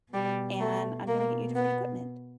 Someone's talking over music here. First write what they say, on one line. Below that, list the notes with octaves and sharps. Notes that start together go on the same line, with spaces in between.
and I'm gonna get you different equipment,"
B2 G3
A3
B2 A#3
B3